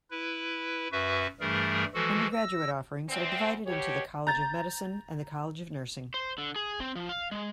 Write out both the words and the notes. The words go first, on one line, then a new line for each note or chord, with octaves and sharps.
Undergraduate offerings are divided into the College of Medicine and the College of Nursing.
E4 B4
F#2 F#4 B4 E5
G2 E3 G3 A3 G#4 A#4
E3 F3 G#3 F#4 A4
E6 A#6
E2 C4
B2 G4 C#5
A#5 G6 A6
C5
D3
G#4
C4
F3
F5
G#3